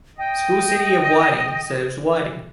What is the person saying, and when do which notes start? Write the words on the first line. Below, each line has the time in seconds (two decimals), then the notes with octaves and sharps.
School City of Whiting serves Whiting.
0.18 D#5 G5